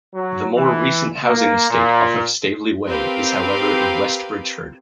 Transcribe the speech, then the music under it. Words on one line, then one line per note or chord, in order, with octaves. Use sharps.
The more recent housing estate off of Stavely Way, is however in West Bridgford.
F#3
E3
A#3
A#2
C4 G4 A#4 B4 F5 G5